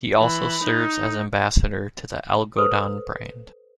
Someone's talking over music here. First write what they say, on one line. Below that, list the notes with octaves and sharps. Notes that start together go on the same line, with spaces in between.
He also serves as Ambassador to the "Algodon" brand.
E3 B5
D#4
A4 B4 C5